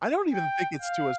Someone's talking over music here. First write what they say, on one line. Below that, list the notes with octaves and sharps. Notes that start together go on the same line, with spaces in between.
I don't even think it's to us
G5
F5